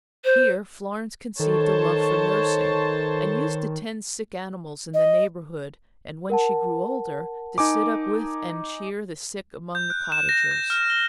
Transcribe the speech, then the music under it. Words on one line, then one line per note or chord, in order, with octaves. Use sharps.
Here Florence conceived a love for nursing and used to tend sick animals in the neighborhood and when she grew older, to sit up with and cheer the sick among the cottagers.
C5
D#3 A4 C5 C#5 A5
D#5
A#4 F#5 A5
D#4 G#5 D6
G6
F#6
E7
A#6
G6
F6
G7